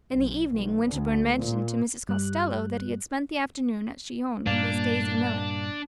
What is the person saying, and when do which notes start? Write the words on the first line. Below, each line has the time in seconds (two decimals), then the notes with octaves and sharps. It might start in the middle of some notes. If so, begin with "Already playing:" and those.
In the evening Winterbourne mentioned to Mrs. Costello that he had spent the afternoon at Chillon with Miss Daisy Miller.
0.15 B1
0.53 B1
0.89 D2
1.41 A#2
2.08 G2 G3 F#6
4.46 G2 A#2 A#3 D4